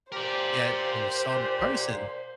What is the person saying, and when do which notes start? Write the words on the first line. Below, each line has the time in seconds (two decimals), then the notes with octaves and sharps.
Yet when you saw him in person,
0.12 G4 A#4 C5 D5